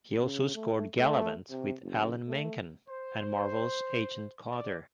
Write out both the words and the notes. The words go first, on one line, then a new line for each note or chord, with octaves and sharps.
He also scored "Galavant" with Alan Menken and Marvel's "Agent Carter".
C#3
A3
A3
C3
F#1
A3
C5
D5